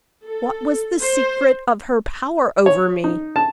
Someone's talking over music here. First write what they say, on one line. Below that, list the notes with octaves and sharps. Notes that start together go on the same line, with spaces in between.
What was the secret of her power over me?
A4
C5
C#5
D#4
A5